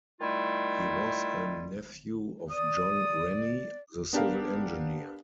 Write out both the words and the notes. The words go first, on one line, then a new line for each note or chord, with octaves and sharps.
He was a nephew of John Rennie, the civil engineer.
D#3 G3 A3 E4 F4
D5 D#6
B3 D4 G4 A#4 F5